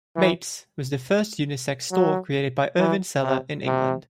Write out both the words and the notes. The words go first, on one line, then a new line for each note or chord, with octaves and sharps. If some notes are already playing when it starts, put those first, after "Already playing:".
'Mates' was the first unisex store created by Irvine Sellar in England.
E3
F#3
E3
C3
C3